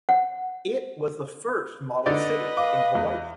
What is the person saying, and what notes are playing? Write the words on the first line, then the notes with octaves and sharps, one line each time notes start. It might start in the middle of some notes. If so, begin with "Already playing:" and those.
It was the first model city in Hawaii.
F#5
D3 D#4 B4 D5 D#5
F5 D6
E2